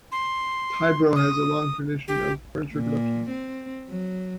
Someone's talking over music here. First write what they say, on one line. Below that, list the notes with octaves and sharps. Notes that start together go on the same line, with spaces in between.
Tibro has a long tradition of furniture production.
C6
D#6
G4
A#2
C4
F#3